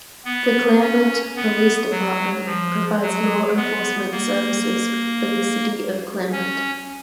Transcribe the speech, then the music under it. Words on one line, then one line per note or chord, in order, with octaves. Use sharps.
The Claremont Police Department provides law enforcement services for the city of Claremont.
B3
C#4
B3
F#3
F3
F#3
B3
A#3
C#4